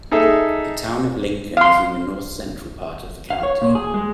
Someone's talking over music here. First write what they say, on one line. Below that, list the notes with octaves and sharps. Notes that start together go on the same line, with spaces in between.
The Town of Lincoln is in the north-central part of the county.
D#4 G#4 A4 E5
F5 C6
F5
C#5
A#2
G#4
G#3